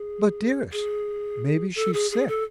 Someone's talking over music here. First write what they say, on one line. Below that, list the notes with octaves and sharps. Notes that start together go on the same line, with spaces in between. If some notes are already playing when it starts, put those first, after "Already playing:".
"But, dearest, maybe she's sick."
Already playing: G#4
G#4
A4
G#4
G#4
A4